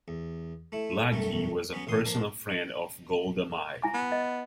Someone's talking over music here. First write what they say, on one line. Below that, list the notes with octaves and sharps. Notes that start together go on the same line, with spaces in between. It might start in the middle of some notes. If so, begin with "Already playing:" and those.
Laghi was a personal friend of Golda Meir.
E2
A3 E4
B1 F#2 F#3 G3 A3
F#3 B3 C#4 B5
A1 A#2 C6 D#6
F3 A#3 D4
E4 G#5 D6
B3
D#5